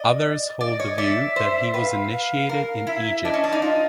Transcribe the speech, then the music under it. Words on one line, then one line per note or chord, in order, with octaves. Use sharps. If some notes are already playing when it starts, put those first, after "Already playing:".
Others hold the view that he was initiated in Egypt.
Already playing: D5 D#5
D5 D#5
D#5
C#5
D#5
D5 E5
C5
B4 F5 G5
F5
A#4 F5
E4 E5
D4 D#5
C#4
D4
D#4 D5
F4 D#5